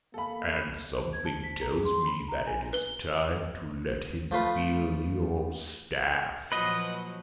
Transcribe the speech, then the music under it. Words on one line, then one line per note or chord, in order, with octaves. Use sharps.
"And something tells me that it is time to let him feel your staff."
A#3 A4 B5
C5
G#6
A5
B6
A#5
G#4
C6
B5
A#5
G#5
B4 G7
F3 A3 F4 B4
A#2 F3 F#3 B4 D#5